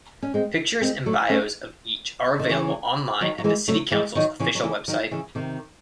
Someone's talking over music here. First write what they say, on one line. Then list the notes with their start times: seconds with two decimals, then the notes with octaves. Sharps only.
Pictures and bios of each are available online at the City Council's official website.
0.23 C#4
0.34 G#3 C4
0.82 G#3 C4
1.06 F#3 A3
1.29 A3 C#4
2.39 D#3
2.49 C#3 E3
3.21 D#3 F#3
3.38 F#3
3.44 E3 G#3
3.68 F#3 A3
3.92 E3 G#3
4.15 D#3 F#3
4.40 C#3 E3
4.55 F#3
4.63 C#3 E3
4.88 D#3 F#3
5.11 C#3 E3
5.35 C3 D#3